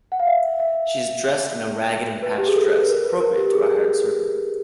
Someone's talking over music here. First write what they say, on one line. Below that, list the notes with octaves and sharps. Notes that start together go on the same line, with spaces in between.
She is dressed in a ragged and patched dress, appropriate to a hired servant.
F#5
F5
E5
E5
B4
G4
G#4
A4
B4
A#4
B4
A#4
G4
G#4